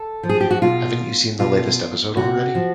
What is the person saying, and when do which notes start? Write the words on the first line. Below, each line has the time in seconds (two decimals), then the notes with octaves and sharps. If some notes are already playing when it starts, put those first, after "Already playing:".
Haven't you seen the latest episode already?
Already playing: A4
0.23 F3
0.29 G#4
0.40 G4
0.51 F#4
0.62 B2 F4
1.39 B2 F4
2.17 C3 F#4
2.55 F3